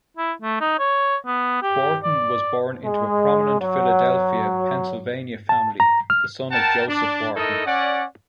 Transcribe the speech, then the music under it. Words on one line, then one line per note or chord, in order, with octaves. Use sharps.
Wharton was born into a prominent Philadelphia, Pennsylvania family, the son of Joseph Wharton.
E4
A3
D#4
C#5
B3
G4
D5
G#3
F#3
A5
A#5
F6
A#4 F#5 G5 A5
D4
A3 D#4 E4 A4 A#4 D#5
C#4 D5 F#5